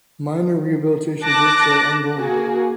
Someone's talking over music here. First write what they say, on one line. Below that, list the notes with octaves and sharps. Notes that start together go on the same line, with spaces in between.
Minor rehabilitation works are ongoing.
A5 D6 F#6 A#6
A#3 F#4 G#4